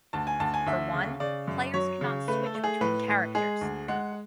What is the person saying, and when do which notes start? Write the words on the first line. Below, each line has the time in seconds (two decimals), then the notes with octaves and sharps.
For one, players cannot switch between characters.
0.13 D2 A5
0.27 G#5
0.40 D2 A5
0.54 G#5
0.66 D2 E5
0.94 C#3
1.20 C#3 D5
1.48 F#2
1.74 F#3 C#5
2.01 C#3
2.28 A3 B4
2.46 A4
2.55 A3
2.64 G#4
2.81 A2 B4
3.08 A2
3.35 G#3 G#4
3.61 D2
3.88 G#3 F#5